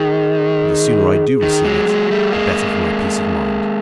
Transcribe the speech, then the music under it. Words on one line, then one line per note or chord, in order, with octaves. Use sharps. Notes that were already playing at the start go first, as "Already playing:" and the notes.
But the sooner I do receive it the better for my peace of mind.
Already playing: D#3 G#4
D#3
F#3 G#3
F#3 G#3
G3 A3
G#3 A#3